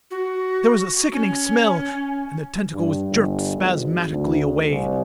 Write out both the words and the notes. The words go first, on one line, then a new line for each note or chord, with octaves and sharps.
There was a sickening smell--and the tentacle was jerked spasmodically away.
F#4
C#4
G2
G1
G#1
D2
C2